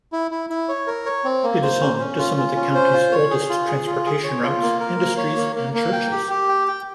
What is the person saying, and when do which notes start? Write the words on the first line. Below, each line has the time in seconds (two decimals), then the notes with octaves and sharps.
It is home to some of the county's oldest transportation routes, industries and churches.
0.12 E4
0.31 E4
0.50 E4
0.69 C#5
0.87 A#4
1.06 C#5
1.24 C4
1.43 A#3
1.62 C5
1.81 C#4
1.99 C#4
2.18 F4
2.37 F4
2.55 C#4
2.74 C5
2.93 F4
3.12 C#5
3.30 G#4
3.49 F4
3.68 G#4
3.87 F4
4.06 G#4
4.24 C#5
4.43 F4
4.62 A#3
4.80 A#4
4.99 A#3
5.17 C#5
5.36 A#3
5.55 A#3
5.74 A#3
5.93 G5
6.11 G4
6.30 G4
6.49 G5
6.68 G5